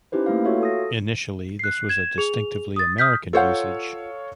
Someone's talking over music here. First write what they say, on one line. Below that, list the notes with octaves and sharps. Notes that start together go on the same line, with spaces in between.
Initially this was a distinctively American usage.
C#4 D#4 E4 G4 B4 C5
A3 A#3 E4 B4 F5
F4 F#4 A4 C#5 E5 F5
A4 D#6 A#6
F#6 C7
G#6 E7
G#4 F7
D#6 A6
D#6 F6 G6 B6
F4 A4 C5 C#5 F5 F#5